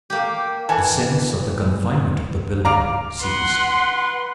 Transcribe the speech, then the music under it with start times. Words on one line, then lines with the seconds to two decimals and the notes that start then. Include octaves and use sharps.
The sense of the confinement of the building ceased.
0.10 A#3 G4
0.69 E3 A4 G#5
2.65 D5 F5 A#5
3.22 B4 F#5 C6